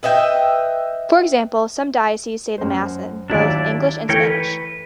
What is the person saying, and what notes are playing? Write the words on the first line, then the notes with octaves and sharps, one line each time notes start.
For example, some dioceses say the Mass in both English and Spanish.
B4 D#5 E5 G5
F#2 C5
D#2 F#3 D4 E4 D5
E3 A3 A#4 C#5 G5
B4